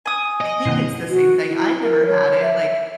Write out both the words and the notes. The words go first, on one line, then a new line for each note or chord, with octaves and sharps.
I think it's the same thing. I've never had it, like,
G#5 D#6
D#5
B2 D3 D#3 A#3 C4 E4
F#4
E4
A#4
C#5
E5